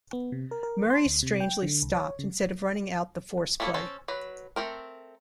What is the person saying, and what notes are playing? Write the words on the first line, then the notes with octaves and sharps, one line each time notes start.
Murray strangely stopped instead of running out the force play.
B3
C3
A#4
A#4
C6
D2
C3
G5
D3
C2
C#5
C#3
A3 A#3 C#4 E4 A4
C#4 A4 C5
F#3 B4
A3 C4 A#4